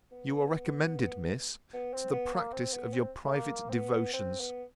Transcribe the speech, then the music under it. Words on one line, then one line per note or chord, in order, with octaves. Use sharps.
You are recommended, Miss, to the practice of your private devotions.
B3
B3
C4
B3
A#3
C4
B3
C4
A3
A#3
C4
B3
C4
B3